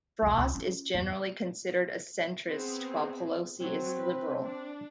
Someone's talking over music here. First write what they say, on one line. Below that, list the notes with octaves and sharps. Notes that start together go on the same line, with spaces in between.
Frost is generally considered a centrist while Pelosi is liberal.
E1 C#2
C#2
C#4 F4
E2 G2
B3 C4 G#4
F#3 C4
B4
D4